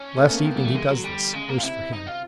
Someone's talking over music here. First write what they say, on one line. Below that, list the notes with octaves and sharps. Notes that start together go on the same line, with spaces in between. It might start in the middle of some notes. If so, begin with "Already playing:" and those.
Last evening he does this. Worse for him!
Already playing: C#4
A3
B3
A#3
B3 C4
G3 A#3
E3 A3
D3 G#3
F#3
G3
C#3 G#3
A#3
F4
C3 E4
D#4
F4